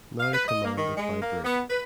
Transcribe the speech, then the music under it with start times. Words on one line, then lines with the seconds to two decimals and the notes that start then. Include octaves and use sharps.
Now commanded by Brig.
0.20 F5
0.34 B4
0.48 D#5
0.64 A#3
0.77 D#3
0.97 G#3
1.21 A#3
1.44 B3
1.70 B4